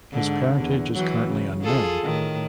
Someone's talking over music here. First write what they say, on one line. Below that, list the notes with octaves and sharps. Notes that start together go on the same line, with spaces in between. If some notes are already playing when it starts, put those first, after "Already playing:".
His parentage is currently unknown.
G#2 D3
E2
E3 F#3
C#3
F4 G#4 A4
A2 D#3